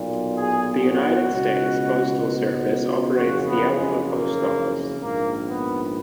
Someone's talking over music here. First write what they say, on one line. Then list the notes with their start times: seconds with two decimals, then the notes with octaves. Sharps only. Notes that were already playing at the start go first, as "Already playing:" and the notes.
The United States Postal Service operates the Alamo Post Office.
Already playing: B1 A#2
0.36 G#4
0.82 F#4
1.29 C#2 B2
3.14 F#1 F2 C#3 F#4
3.45 B3
3.76 G#3
4.07 A#3
5.00 A#1 G#2 D#3 A#3
5.46 B3